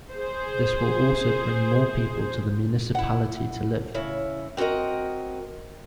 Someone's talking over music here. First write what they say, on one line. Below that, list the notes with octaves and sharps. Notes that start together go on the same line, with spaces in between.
This will also bring more people to the municipality to live.
G#4 C5
E4 F#5
C#3 E4 C#5
C4 F#4 G#4 A#4 D#5